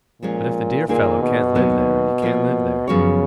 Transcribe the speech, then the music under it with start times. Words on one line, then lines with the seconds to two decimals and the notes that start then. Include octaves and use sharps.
But if the dear fellow can't live there, he can't live there.
0.22 A#2 F3 G#3 C#4
0.88 A#2 D#3 A#3 D#4 G#4
1.21 B2
1.55 D#2 D#3 F#3 B3 D#4
2.22 F3 A#3 F4
2.88 F#2 C#3 F3 B3 F#4 C#5